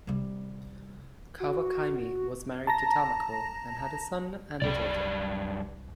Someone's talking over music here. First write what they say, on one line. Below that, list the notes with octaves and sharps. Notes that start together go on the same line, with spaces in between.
Kawakami was married to Tamiko and had a son and a daughter.
C3 G3
F#4
A5 A#5 A#6
C2 F#2 G3 D5